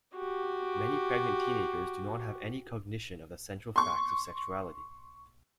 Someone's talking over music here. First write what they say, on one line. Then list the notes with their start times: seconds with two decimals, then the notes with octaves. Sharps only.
Many pregnant teenagers do not have any cognition of the central facts of sexuality.
0.15 F#4 G4
3.76 C6 C#6